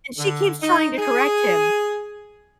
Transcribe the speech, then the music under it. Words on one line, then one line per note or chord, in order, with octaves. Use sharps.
And she keeps trying to correct him,
D3
D#4
G#4